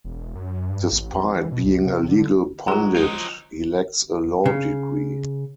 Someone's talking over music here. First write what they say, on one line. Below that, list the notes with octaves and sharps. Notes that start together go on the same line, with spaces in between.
Despite being a legal pundit, he lacks a law degree.
E1
F#2
G2
A1
F2
E3
B2
C#2
C3
D3
F#3 G#3 F4 G#4
F3 D#4
C#3